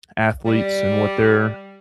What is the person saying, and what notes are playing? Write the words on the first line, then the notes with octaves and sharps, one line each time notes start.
athletes and what they're
G3